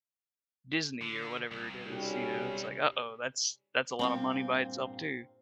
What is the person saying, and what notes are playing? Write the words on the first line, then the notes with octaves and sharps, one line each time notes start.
Disney or whatever it is, you know, it's like, "Uh-oh, that's that's a lotta money by itself too."
D3
C2
B1 G3 C#4
G2 A#2 C4